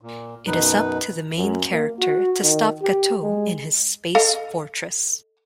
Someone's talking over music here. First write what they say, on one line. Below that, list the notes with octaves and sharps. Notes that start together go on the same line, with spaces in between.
It is up to the main character to stop Gateau in his space fortress.
A#2
F#2 B2 D#4 B4
F#2
A#3
F#4
D#3
G4
G#3
A4 D#5 F5